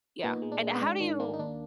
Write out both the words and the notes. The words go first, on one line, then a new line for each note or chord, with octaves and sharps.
Yeah, and how do you
A#2 B3 D#4
G#3
D4
G#3
B3
G#2 D4
D#3 D4
A#3 D4
D#4
D#2 D4